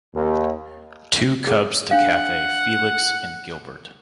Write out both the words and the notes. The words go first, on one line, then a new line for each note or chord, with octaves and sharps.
Two cubs to Cathay: Felix and Gilbert.
D#2
G#4
D4 F5 F#5